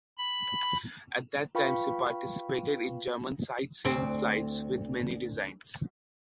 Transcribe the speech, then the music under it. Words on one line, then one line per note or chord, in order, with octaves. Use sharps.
At that time, she participated in German sightseeing flights with many designs.
B5
F4 B4 F5 G5 B5 C#6
D2 C4